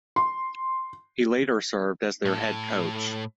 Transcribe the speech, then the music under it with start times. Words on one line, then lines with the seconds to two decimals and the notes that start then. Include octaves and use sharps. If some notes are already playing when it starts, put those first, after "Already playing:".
He later served as their head coach.
0.16 C6
2.25 A2 A4